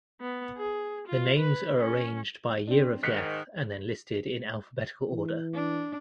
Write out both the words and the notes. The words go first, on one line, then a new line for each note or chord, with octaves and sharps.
The names are arranged by year of death and then listed in alphabetical order.
B3
G#4
F4
B4
C#4
C4 D4
G#2 D#3 F#6 B6 C#7
E3
D4